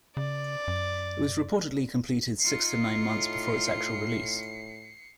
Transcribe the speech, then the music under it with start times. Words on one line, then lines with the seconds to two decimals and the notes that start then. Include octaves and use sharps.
It was reportedly completed six to nine months before its actual release.
0.17 C#3 D5
0.68 F#2
2.41 D#4 F4 C7 C#7
3.03 A2